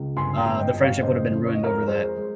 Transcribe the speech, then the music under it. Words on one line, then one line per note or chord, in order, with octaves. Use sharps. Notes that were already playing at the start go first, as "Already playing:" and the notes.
uh, the friendship would have been ruined over that.
Already playing: C#2
G1 G#5 C6
G5 A#5
G1
D#5 G5
G1
C#5 F5
C#3 C5 D#5
F2
C#5
D#5
F2 A#4 C#5
G#3 G#4 C5
G#3